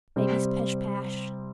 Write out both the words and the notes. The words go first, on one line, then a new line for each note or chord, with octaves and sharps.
Baby's Pesh-Pash.
C3 G3 C4